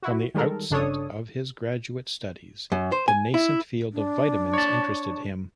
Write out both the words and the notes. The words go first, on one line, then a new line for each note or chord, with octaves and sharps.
From the outset of his graduate studies, the nascent field of vitamins interested him.
E4 F#4
D#3 G3 G#3 A4 A#4
G1 C#3 D4 A4 C#5 D#6
F#2
C5
G#5
E4
D4
C#5 A5